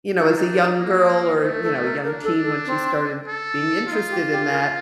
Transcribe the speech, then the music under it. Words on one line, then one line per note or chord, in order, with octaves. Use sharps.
you know, as a young girl, or, you know, a young teen, when she started being interested in that,
D4 D#4
F4
D#4
A#3
A3 C5
A4
A#4
D4 A#4
A4
A4
C4
A4
D#4 F4
G4
G4
A#4